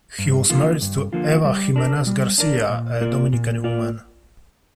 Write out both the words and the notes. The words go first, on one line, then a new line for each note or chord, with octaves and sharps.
He was married to Eva Jimenez Garcia, a Dominican Woman.
G2
D3 F3 A#3 F4
G2
D3 F3 A#3 F4
G3
D4 A#4 D5
G3
D4 A#4 D5
A#2
A#3 F4 A#4 D5
A#2
A#3 F4 A#4 D5